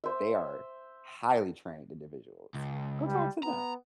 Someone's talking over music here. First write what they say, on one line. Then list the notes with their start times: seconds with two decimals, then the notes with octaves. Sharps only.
They are highly trained individuals. Go talk to them."
0.04 C5 E5
2.54 C#2
3.05 G3
3.43 B3 A#5